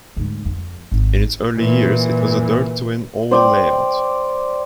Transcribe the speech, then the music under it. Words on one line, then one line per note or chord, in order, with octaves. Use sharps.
In its early years, it was a dirt twin oval layout.
D2 G#2
F2
G#1
A#2 E3
C5 D5 G5